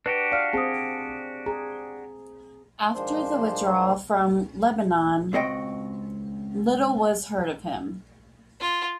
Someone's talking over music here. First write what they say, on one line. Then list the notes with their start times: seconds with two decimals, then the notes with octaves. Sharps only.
After the withdrawal from Lebanon little was heard of him.
0.06 D4 F#4 G4 B4
0.32 D5 F5 F6
0.53 C4 G#4 A5 D#6
1.46 G#4 A#5
2.95 D#3 F3 G#3 D4 C5
5.33 C#2 C4 F#4 D#5 G5
8.61 F4